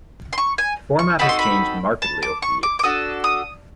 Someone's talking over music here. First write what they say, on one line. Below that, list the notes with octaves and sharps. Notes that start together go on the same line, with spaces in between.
The format has changed markedly over the years.
C6
C#6
G#5
C#6
C4 D#4 F#4 A4 B5
C6
B5
A5
D6
C#6
D6
D6
D4 F#4 A4 D#6
D#6